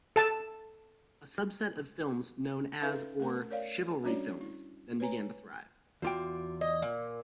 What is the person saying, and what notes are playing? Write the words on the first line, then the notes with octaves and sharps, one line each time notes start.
A subset of films known as or "chivalry films" then began to thrive.
A4 A5
C#4 D#4 A4 B4 E5 F5
A3 A#4
A#4 C#5 D5 F5
G3 C#4 D4 F#4 C#5 D5
E4
B4 C#5 G#5 A#5
E2 F4 F#4 G5 D6
D5 D#5
A#2